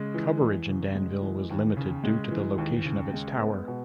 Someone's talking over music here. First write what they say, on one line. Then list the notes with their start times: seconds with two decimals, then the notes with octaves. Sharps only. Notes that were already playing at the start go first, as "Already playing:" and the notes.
Coverage in Danville was limited due to the location of its tower.
Already playing: C#3 G#3
0.14 E3
0.41 E2
0.68 C#3
0.95 G#3
1.22 E3
1.50 D#2
1.77 C#3
2.04 G#3
2.31 E3
2.58 D#2
2.85 C#3
3.13 G#3
3.39 B3
3.68 B2